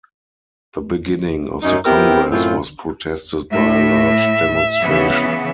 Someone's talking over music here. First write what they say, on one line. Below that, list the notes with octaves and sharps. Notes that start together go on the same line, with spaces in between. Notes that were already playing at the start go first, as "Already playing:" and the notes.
The beginning of the Congress was protested by a large demonstration.
F#2 D#4
B3 C4 E4 G4 A#4
F#2 A2 C4 F4
A2 E5
C#3 E3 B3